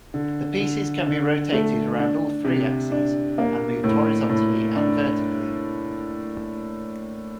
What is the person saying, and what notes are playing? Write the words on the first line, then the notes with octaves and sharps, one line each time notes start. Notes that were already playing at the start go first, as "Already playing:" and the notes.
The pieces can be rotated around all three axes, and moved horizontally and vertically.
D3
D3
D3
A3
D4
C3
D4
A#3
A2
A2
D4